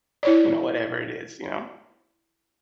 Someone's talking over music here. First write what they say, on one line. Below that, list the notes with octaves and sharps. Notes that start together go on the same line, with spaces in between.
you know, whatever it is, you know?
E4 C#5 D5